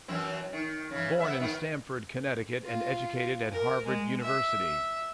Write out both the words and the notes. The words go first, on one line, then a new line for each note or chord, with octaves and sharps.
Born in Stamford, Connecticut, and educated at Harvard University.
F#2 E3 C4
D#3
C#3 E3
B3 E5
D#3 B3
F4
A#4
G#3
E5